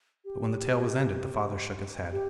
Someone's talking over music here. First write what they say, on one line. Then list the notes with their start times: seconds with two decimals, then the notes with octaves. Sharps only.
But when the tale was ended the father shook his head.
0.25 G4
2.12 G4